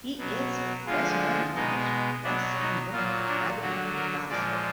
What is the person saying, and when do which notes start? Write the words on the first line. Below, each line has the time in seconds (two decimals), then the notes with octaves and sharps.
He is best known for his bestselling book "The Ragamuffin Gospel".
0.17 B2 F#3
0.86 D3 F3 G#3 F4
1.54 B2 G#3 D#4
2.23 B2 F#3 D4
2.58 D#4
2.92 A#2 F#3 F4
3.27 D4
3.61 D3 F#3 F#4
3.95 A#4
4.30 A#2 F3 G#3 D5